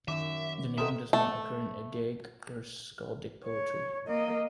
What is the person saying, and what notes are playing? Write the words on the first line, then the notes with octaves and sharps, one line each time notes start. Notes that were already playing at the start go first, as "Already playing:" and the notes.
The name does not occur in Eddaic or skaldic poetry.
F#2 D#3 E5 D6
B2 C4 A4 A#4 E5 D#6
A3
C#5
A#3 D#5